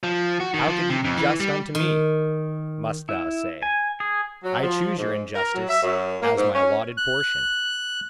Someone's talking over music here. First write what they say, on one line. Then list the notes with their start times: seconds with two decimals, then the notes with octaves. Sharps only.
"How could ye be just unto me!"--must thou say--"I choose your injustice as my allotted portion."
0.03 F3
0.40 F#4
0.54 D#3
0.68 F3
0.90 C3
1.04 F2
1.17 E3
1.40 G3
1.75 D#3
3.09 E4
3.63 G#5
4.00 G#4
4.44 F#3
4.63 F3
4.97 G#2
5.36 A#4
5.54 F#3
5.69 E5
5.82 F#2
6.22 A#3
6.36 G#2
6.54 C#4
6.97 F#6